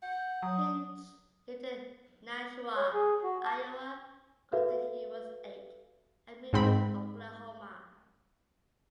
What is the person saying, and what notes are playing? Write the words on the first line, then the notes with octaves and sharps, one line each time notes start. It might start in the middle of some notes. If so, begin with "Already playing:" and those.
Hinch lived in Nashua, Iowa, until he was eight and moved to Oklahoma.
F#5 G6
F#3 D#6
C#5
G#4
F#4
A5
F#4 A4 B4 E5 F5
G#2 C4 B5